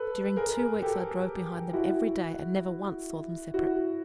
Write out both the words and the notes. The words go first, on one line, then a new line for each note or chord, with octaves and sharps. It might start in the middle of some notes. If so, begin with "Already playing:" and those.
During two weeks I drove behind them every day, and never once saw them separate.
Already playing: A4 B4
G#4 A#4
G4 A4
E4 F#4
E4 F#4